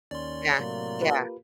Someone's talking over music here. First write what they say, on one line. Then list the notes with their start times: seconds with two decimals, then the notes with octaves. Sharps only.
yeah, yeah.
0.11 D#2 C#4 D5 C6
0.59 A2 C3 F#3 A#3
1.01 F4 G4 B4